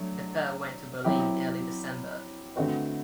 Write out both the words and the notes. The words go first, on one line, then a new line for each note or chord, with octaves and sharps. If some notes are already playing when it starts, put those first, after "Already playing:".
The pair went to Berlin in early December.
Already playing: F#3 A3 D4
F#3 C4 E4 G4
D3 A3 C4 F#4 B4